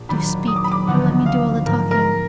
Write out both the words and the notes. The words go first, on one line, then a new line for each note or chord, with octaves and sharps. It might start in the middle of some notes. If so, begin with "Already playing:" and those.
Do speak! You let me do all the talking.
Already playing: A#1
D#2 D#3 F#3 D4 F4 B5
D#6
D6
B5
D6
D2 D3 F3 B3 D#4 F#5
F5
G#2 F3 G#3 A#4
A#4